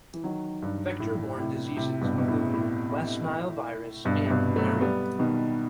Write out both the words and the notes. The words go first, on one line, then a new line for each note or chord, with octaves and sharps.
Vector-borne diseases include West Nile virus and malaria.
E3
D#3 F#3
G2
A2
A2 C3
A2 C3
G2 B2
B2
A2
A2
G2 B2
C3
G2 B2
F#3 A3
G3 B3
B2 D#3